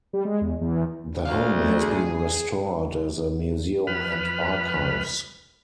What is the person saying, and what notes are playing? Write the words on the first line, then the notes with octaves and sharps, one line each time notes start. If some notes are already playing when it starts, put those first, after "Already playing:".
The home has been restored as a museum and archives.
G3
G#3
E2
E2
D2 F5
A3
G#4
F2 B4 B5 F6